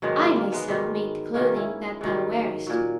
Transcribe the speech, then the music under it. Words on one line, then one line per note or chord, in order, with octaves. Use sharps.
I myself made the clothing that thou wearest.
G#2 D#3 F#3 G#3 B3
A#3
A#3
G#3 B3
G#2 D#3 F#3
G#2 D#3 F#3 A#3 C#4
C#4 E4
G#2 D#3 F#3
A#2 F#3